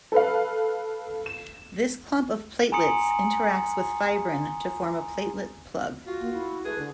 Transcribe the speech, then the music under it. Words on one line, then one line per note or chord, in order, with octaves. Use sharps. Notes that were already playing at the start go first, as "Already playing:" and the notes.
This clump of platelets interacts with fibrin to form a platelet plug.
A4 B4 F5
E7
G#5 A#5 C6 D#6 C#7 F#7
F4 F#4
A#3
E4
A3 D4 G#4 B4
D3